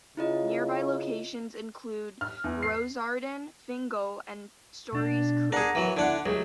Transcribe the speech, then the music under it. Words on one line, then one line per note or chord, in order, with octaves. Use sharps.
Nearby locations include Rossarden, Fingal and Storys Creek.
C#3 E4 F4 D#5
F6
E2
C7
B2 D4
D4 G#4 A#4 F#5
E3 F#3
D3 D4 E4 F#5
C#2 F#3 A3 G4